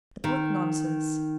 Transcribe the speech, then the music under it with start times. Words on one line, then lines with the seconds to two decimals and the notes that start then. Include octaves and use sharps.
But what nonsense....
0.24 D#3